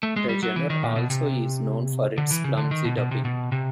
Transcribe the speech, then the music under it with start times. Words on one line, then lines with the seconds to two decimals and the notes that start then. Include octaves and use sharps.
The genre also is known for its clumsy dubbing.
0.03 A3
0.16 G#3
0.29 G3
0.43 F#3
0.56 E3
0.70 D#3
0.83 A#2
0.96 B2
1.10 C3
2.18 D3
2.31 E3
2.44 C#3
2.57 D3
2.71 D#3
2.85 B2
2.97 B2
3.11 C3
3.25 B2
3.52 C3